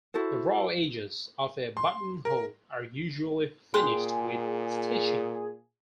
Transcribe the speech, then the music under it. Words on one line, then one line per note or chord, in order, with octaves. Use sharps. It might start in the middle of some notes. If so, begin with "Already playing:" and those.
The raw edges of a buttonhole are usually finished with stitching.
E4 F#4 A4 C5
C6
A#4
A#2 G#4 G5 C6 F#6